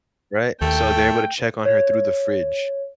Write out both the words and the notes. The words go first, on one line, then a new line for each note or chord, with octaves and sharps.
right? So, they're able to check on her through the fridge
D#2 A3 G5
C#5